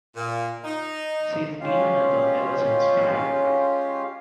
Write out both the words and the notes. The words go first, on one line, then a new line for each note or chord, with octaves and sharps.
She's been a member ever since.
A#2
D#4
G#3 C#4 F4 G4 F5